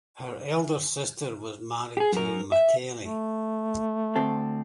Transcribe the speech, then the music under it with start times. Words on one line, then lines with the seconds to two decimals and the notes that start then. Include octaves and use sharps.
Her elder sister was married to Matale.
1.97 G4 G#4
2.12 F#2 A#4
2.52 E5
3.02 A3
4.16 D2 C4 A4